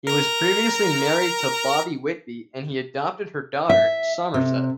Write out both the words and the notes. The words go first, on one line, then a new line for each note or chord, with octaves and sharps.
He was previously married to Bobbie Whitby and he adopted her daughter, Somerset.
A#4 A#5
E5
C3